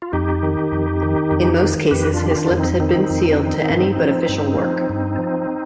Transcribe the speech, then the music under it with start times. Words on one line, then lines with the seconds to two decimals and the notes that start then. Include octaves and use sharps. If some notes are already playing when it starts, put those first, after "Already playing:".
In most cases, his lips had been sealed to any but official work.
0.02 F4
0.13 F2 D#4 G4
0.43 D#3
0.72 F2
1.03 D#3
1.31 F2
1.61 D#3
1.91 F2 G4 B4
2.14 D4 F4
2.22 D#3 G4
2.36 D4 F4
2.50 F2
2.58 C4 D#4
2.80 D#3 C4 D#4
3.10 F2
3.40 D#3
3.70 G2
4.00 F3
4.29 G2
4.59 F3
4.89 G2
5.19 F3